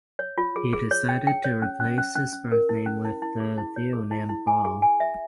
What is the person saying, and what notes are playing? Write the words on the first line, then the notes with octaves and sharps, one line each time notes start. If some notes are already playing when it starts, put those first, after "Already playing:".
He decided to replace his birth name with the theonym Baal.
C#5
F4
G#4
G#4
C#5
G5
G5
C#5
C#4
C#4
C#4
C#4
C#4
A#4
E4
C#4
E4
E4
G#4
E4
C#5
G#4
E4
E4
G#5
G#4
G#5
E5